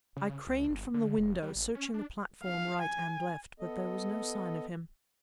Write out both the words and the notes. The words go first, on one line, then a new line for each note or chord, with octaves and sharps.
I craned from the window, searching the platform right and left. But there was no sign of him.
C#3
C#2
G1
D3
F1
G3
A1
C#4
D4
F5
G#5
B3 A4 D#5